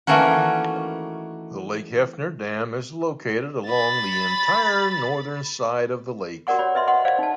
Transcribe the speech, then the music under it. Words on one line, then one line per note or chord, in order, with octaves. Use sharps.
The Lake Hefner Dam is located along the entire northern side of the lake.
D#3 E3 A3 A#3 C#4 F#4
B5 A6
F#4 G4 A#4 D5 F#5 C#6
C#5 D5 B5
B4 D#5 E5 C6
D#5 F#5 C6 C#6
C5 D5 F5
D#4 A5